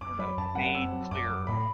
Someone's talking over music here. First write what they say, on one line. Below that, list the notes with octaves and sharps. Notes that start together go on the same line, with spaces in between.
I don't know, made clear
F#2 D6
F#3 B5
F#2 A5
F#2 F#5
C4 E6
F#3
F#2 D6
F#3
A2 B5